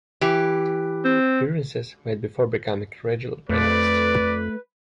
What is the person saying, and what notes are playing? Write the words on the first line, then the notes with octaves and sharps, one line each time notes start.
Appearances made before becoming a regular panellist.
E3 G4
C4
F2 A3 B4 D5